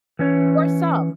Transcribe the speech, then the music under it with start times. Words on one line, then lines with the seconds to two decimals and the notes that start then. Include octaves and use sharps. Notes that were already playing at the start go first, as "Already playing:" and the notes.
for some.
0.19 E3 C#4 C#5